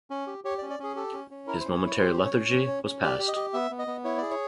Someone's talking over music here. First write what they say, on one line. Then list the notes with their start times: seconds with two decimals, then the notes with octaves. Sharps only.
His momentary lethargy was past.
0.10 C#4
0.27 G4
0.44 G4 C#5
0.58 D5
0.62 C#4
0.70 D5
0.79 C#4 G#4
0.96 G4 A4
1.13 C#4
1.31 C#4
1.47 E4 A#4
1.60 C5
1.65 C#4
1.74 C#5
1.81 E4
1.87 C#5
1.98 G4 C5
2.16 C#4 D5
2.25 C#5
2.33 C#4
2.50 C#4
2.67 C#4
2.84 C#4
3.02 G4 D5
3.19 G4
3.28 D#5
3.36 G4
3.53 B3 E5
3.71 B3
3.79 D#5
3.87 B3
4.04 E4 C#5
4.18 G#4 D5
4.30 C#5